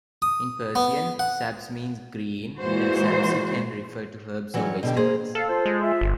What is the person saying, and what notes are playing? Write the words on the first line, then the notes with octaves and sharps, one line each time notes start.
In Persian, sabz means green, and sabzi can refer to herbs or vegetables.
D#6
B3
F#5
A#2 E3 G#3 F#4 C5
E3 F#3 G3 A#3 C#4
B2 D3 G4
A#3 G#4 C5
A4 F5
F4 C5
G#3
F4 E5
G1